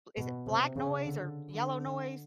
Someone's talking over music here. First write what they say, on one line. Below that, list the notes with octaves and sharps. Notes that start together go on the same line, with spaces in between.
is it black noise or yellow noise, is
B2
C3
C#3
D3
D3